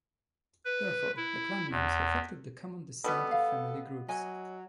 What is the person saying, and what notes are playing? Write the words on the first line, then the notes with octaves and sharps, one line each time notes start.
Therefore, the clan names reflected the common descent of family groups.
B4
E4
E2
B2 G3 B3 F#4 A4 B5
F5
F#3 D#5 G#5